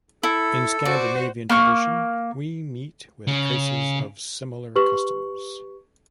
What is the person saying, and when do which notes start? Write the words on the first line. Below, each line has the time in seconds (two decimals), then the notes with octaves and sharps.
In Scandinavian tradition we meet with traces of similar customs.
0.23 E4 A4
0.85 F#4 C5 D5
1.50 A#3 C#6 F6
3.27 C#3
4.76 G4 B4 C#6 F#7